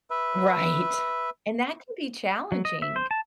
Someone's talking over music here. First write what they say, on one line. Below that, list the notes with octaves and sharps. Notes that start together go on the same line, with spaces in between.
Right, and that can be challenging.
B4 E5
F#3
D#5
E5
C5
A5